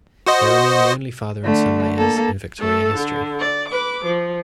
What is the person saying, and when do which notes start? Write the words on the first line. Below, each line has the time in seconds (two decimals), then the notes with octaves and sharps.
They remain the only father and son mayors in Victoria history.
0.26 F#4 C5 D#5
1.45 D3 A3
1.97 A#3 A4
2.59 A3 A4
2.95 D3
3.40 D5
3.69 B4 D6
4.05 F3